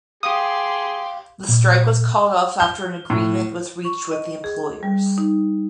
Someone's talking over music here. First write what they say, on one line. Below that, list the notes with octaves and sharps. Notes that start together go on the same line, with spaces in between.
The strike was called off after an agreement was reached with the employers.
G4 G#4 F5 C6 D#6
A#2
G6
A2
C#6
D#5
G#4
G3
D#4